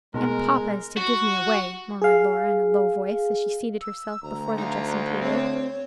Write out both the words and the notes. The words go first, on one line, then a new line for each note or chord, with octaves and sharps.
"And papa is to give me away!" murmured Laura, in a low voice, as she seated herself before the dressing-table.
B2 G#3 A3 B3 D#4 A#4
F#4
G#4 F5
E6
D2 A#5
D#4 F5
C4 C#5